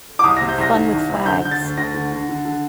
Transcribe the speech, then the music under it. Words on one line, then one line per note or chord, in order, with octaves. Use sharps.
Fun with flags.
D6
C2 D#6
C3 A#6
G6
C2 A#6
D#3
C2
C3
D3 G6
D3 G6
A6
D2
D2 A#6
D3
D3
D3
D3